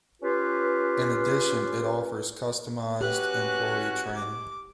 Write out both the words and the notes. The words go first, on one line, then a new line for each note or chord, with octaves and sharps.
In addition, it offers customized employee training.
C#4 F4 G4 B4
C#4 F#4 G4 B4 F#6
D6